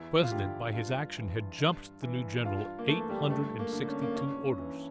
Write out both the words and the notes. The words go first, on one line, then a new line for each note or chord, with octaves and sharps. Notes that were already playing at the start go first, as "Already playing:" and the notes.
The President, by his action, had "jumped" the new General eight hundred and sixty-two orders.
Already playing: E2 E4
F4
D3 G4
G2 F4
E3
G2
E3
G2 F4
A#3
E3 A3
G3
G2 A3
A#3
D3
C#4
A#3
G2 C#4
E3